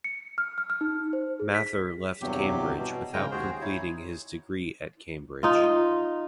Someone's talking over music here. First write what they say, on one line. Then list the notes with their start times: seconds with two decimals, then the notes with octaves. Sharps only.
Mather left Cambridge without completing his degree at Cambridge.
0.04 C#7
0.38 F6
0.58 F6
0.70 F6
0.81 D#4
1.13 C5
1.39 G#4
1.55 B6
2.22 E2 G2 C3 F#3 G4
2.79 B2
3.13 G#2 C#3 G#3 A#4 G5 A#5
3.31 D#2 F#4 G#4 C5
3.61 D#4 E4 C#5
5.43 D#4 F4